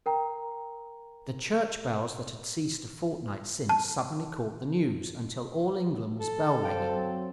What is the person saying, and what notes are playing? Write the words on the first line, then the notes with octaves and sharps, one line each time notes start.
The church bells that had ceased a fortnight since suddenly caught the news, until all England was bell-ringing.
A#4 G5 A#5
A5
A4
F#3 C4 F5 G5